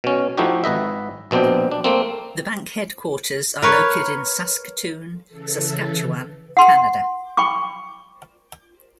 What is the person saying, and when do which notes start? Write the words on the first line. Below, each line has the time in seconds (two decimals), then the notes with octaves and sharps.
The bank headquarters are located in Saskatoon, Saskatchewan, Canada.
0.04 B2 C#4
0.37 F3 A3 D#4 E4 F#4 G4
0.64 G#1 B4 D#5 E5
1.31 A#1 B2 C4 D4 C5
1.71 D4
1.84 A3 A#3 C4
3.62 A#4 B4 C#5
5.28 C#3 E3 A4
6.57 F#5 C6
7.37 G5 B5 C#6 D6